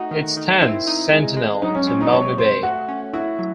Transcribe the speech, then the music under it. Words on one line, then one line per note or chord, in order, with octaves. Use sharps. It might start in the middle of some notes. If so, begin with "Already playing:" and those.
It stands sentinel to Maumee Bay.
Already playing: A3 D#4 F#4
D#3
D#3
C4 E4
D#4
G#3
G#3
F#3 D#4
C#4
C4 C#4
D#4
C3 C#5
C3 C5
A3 F#4
C#4
E4 F#4
F#3